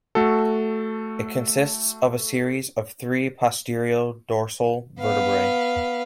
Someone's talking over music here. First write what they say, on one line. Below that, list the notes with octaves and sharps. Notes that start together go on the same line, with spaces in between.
It consists of a series of three posterior dorsal vertebrae.
A3 F#4 A4
B3 F5